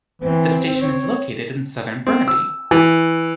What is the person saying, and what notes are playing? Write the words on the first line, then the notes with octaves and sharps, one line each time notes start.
The station is located in southern Burnaby.
E3 C4
C#5
C4
E6
E3